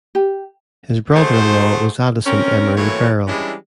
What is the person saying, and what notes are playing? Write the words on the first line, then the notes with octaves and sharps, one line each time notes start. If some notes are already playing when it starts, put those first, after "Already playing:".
His brother in law was Addison Emery Verrill.
G4
A3 F#4 G#4 C5
C4 C#4 A#4
A2 E3 F#3 A#3 C4 C#5
E3 G3 G#3 C#4 D4 E4